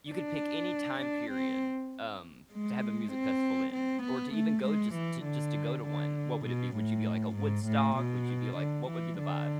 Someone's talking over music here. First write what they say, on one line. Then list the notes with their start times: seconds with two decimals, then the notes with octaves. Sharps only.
you could pick any time period, um, to have a music festival in or to even go just just to go to one, what would it be? Would you be like a Woodstock? Would you be like what would be the vibe?
0.10 D4
1.01 D4
1.31 C4
2.53 G#3
3.13 C4
3.74 C4
4.03 B3
4.34 A3
4.64 G#3
4.94 E3
5.24 D3
5.85 D3
6.46 B2
6.76 A2
7.36 G#2
7.66 A2
7.97 B2
8.58 D3
8.88 E3
9.18 D3